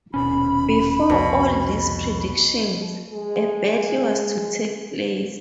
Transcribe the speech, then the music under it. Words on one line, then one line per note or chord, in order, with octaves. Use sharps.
Before all these predictions, a battle was to take place.
D#1 B2 C#4 B5
C2 F2 B2
G#3 G#4